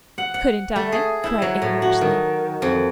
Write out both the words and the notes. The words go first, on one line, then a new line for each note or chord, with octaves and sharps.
"Couldn't I?" cried Anne rashly.
F#5
F#5
A3
G#4
E4
F#3
A2
F#4
D#3
F2